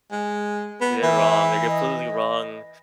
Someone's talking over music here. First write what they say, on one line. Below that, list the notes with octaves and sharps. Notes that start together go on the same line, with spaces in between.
They're wrong, they're completely wrong,
G#3
B3
E3 E5
D#5